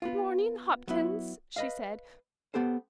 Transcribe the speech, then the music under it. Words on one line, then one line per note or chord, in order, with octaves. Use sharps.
"Good morning, Hopkins," she said.
B3 F4
F#3 B3 E4
B4 D#5 F5
B3 G4 A4 C5